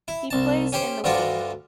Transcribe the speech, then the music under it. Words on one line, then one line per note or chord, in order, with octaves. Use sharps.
He plays in the wing.
E4
C2 A5
C#4 G4 C5
D2 G2 D4 F4 F#4